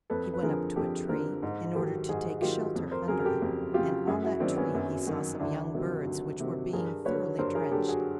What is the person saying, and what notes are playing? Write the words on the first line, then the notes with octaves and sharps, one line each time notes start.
He went up to a tree in order to take shelter under it, and on that tree he saw some young birds which were being thoroughly drenched.
F2 A4 B4
B4
D3 F3 G#4 A#4
F2 G4 A4
D3 F3 A#4 C5
G#2
D#3 F#3 G4 A4
G#2 F#4 G#4
D#3 F#3 F4 G4
F2
A#4 C5
C#3 F#3 G#4 A#4
A#4
G4 A4
F2
C#3 F#3 F4 G4
F#2 F#4 G#4
E4 F#4
D#3 F#3 C4 D4
B3 C#4
F#2
D#3 F#3
D2 D4 E4
C3 D#3 F#3
D2
C3 D#3 F#3
G2 G#4 A#4
D3 F#3 B4 C#5
G2 A#4 C5
G#4 A#4
D3 G4 A4
F#3
F#4 G#4